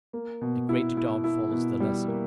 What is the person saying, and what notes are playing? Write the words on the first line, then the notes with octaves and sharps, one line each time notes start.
The Greater Dog follows the Lesser.
A#3
B2
E4
E4
E4
B2
G3
A#3